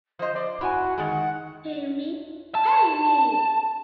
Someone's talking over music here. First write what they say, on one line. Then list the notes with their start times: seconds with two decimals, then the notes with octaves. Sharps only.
Pin Me, Pay Me!
0.19 F3 C5 D#5
0.36 D5 C6
0.61 E4 F#4 G#5
0.98 D#3 G#3 F#5
2.55 A5